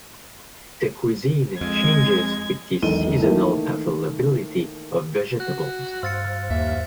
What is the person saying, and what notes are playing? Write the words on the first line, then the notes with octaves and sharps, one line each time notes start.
The cuisine changes with the seasonal availability of vegetables.
F2 G#3 G#6
E1 B1 D#3 A4 D#7 G7
D#3 E3 A3 A#3
F#4 F#6
G2 C5 F5 E6 A6 C#7
D#2 E5